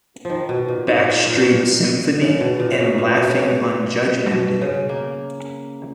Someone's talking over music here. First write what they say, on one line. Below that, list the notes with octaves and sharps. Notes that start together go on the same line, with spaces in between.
"Backstreet Symphony" and "Laughing on Judgement Day".
D#3 F3
B2
A#2
G#2
A#2
A#2
B2
A#2
C#3
B2
A#2
C#3
B2
A#2
B2
C#3
B2
B2
C#3
A#3